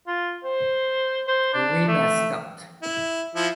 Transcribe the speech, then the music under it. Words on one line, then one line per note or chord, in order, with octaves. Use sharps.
The wind has stopped.
F4
C5
C5
D4
A3
E4
F3 E4